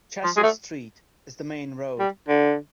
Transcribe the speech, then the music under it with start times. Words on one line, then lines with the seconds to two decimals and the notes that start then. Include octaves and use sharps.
Chessel Street is the main road.
0.24 F3
0.37 G#3
0.43 A3
1.99 G3
2.29 D3